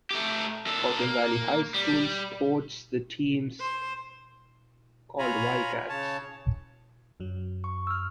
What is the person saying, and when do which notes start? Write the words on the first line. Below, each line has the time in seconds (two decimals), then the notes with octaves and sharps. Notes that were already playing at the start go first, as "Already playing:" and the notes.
Cotton Valley High School sports the teams called the Wildcats.
0.11 A3 G4
0.67 A#2 A4
0.98 A#3
1.74 G3
3.60 C5
5.19 F4 C#5 G#5 A#5 B5
5.89 C#3 C#5 A5
7.20 F#2 F#3
7.64 C#6
7.87 E6 F6